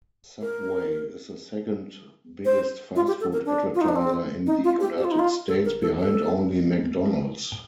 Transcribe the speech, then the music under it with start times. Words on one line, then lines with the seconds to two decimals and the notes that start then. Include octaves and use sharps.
Subway is the second-biggest fast food advertiser in the United States, behind only McDonald's.
0.42 A#4
2.45 C5
2.96 F4
3.07 G4
3.21 A4
3.33 A#4
3.46 D4
3.75 F4
3.81 D#4
3.88 D4
3.96 C4
4.46 D#4
4.64 F4
4.80 G4
4.98 G4
5.04 F4
5.11 D#4
5.19 F4
5.48 A4
5.65 A#4
5.82 A4
5.99 A4